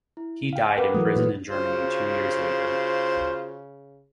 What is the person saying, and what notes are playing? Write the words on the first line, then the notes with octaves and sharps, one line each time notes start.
He died imprisoned in Germany two years later.
E4
F5 G5
A#4 B4 F#5 D6
E3 F#3 A3 D#6
A#2 F#4 B4
C#3 F4 F#4 C5